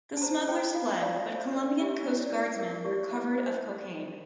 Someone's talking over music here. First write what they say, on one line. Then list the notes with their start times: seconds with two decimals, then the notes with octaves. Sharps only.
The smugglers fled, but Colombian Coast Guardsmen recovered of cocaine.
0.17 A5
0.22 C5 A#5
0.48 C5 G5
0.75 F4 F5
1.02 F4 D5
1.27 C5 E5
1.53 C5 D5
1.70 D5
1.80 G4 E5
2.06 E4 D5
2.26 D5
2.33 E4 E5
2.58 A#4 E5
2.85 G4 D5
3.11 E4 E5
3.38 C5